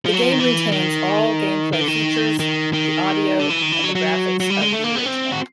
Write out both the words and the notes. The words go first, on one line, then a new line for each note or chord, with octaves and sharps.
The game retains all gameplay features, the audio and the graphics of the original.
F3
F#3
F3
D#3
E3
D#3
D#3
D3
D#3
D#3
D#3
D3
E3
D#3
E3
F#3
F#3
F#3
G3
G#3
A3
A#3
B3
C4
F#4